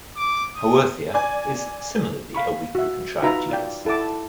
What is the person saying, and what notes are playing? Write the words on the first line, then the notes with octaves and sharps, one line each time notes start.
"Haworthia" is similarly a weakly contrived genus.
D6
D#6
D5 G#5
F5 B5 C#6
F#4 E5
D#4 F4 F#4 B4 E5 A#5
F4 D5 G5
E4 A4 F#5 A5 D6